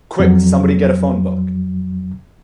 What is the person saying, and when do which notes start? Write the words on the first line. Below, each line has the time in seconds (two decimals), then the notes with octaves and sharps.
Quick, somebody get a phone book.
0.20 F2 F#3